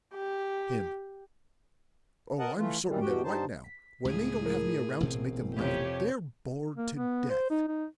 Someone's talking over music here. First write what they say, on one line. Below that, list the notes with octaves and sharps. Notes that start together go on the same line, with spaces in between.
HIM: Oh, I'm certain that right now, when they don't have me around to make them laugh, they're bored to death.
G4
A#4 D#5 F#5 A5
E3 A3 F4
F#2 D#3 E3 G3
E2 B2 F#4 G4 G5
G2 G3 D#4 C5 A5
B6
C#2 A2 G#4
E4 A#4
A1 B2 C4
F2 C3 G4 C#5
A#3
B3
C5
D#4
D#4